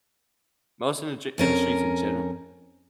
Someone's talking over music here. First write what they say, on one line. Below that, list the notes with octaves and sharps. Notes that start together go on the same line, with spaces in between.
most indu industries in general.
F2 C#4 A#4